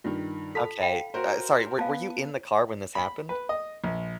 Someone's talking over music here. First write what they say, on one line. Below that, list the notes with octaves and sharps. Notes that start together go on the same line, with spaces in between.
Okay, uh, sorry, were were you in the car when this happened?
G2 D#3 F4
A4 A5 B5 B6
F5 G5 B5
F#4 A#4 C5
B3 F5 G#5 A5
B5
B4
D#5
A#1